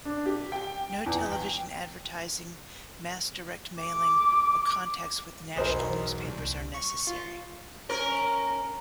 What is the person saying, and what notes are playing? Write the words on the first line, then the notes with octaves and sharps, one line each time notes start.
No television advertising, mass direct mailing or contacts with national newspapers are necessary.
D4
G4
G5
E2
G5
D6
B1 E2 A#4 C5 D#5
C2
C#6
F4
C#4 A#4